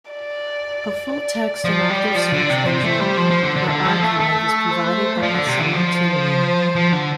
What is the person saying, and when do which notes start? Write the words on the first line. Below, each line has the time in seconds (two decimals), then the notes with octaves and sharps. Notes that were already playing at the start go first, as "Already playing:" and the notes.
A full text and author search engine for arXiv is provided by Scientillion.
0.11 D5
1.13 D5
1.65 F3
1.90 G3
2.15 F3 D5
2.33 D3
2.50 C3
2.66 C3 C5
2.84 A3
3.00 G3
3.17 F3
3.30 F3
3.43 D3
3.56 D3
3.68 D3 A4
3.85 F3
4.03 A3
4.20 A3
4.71 C5
5.22 F3 D5
5.34 D3
5.47 C3
5.60 D3
5.73 F3 C5
6.75 F3
6.92 D3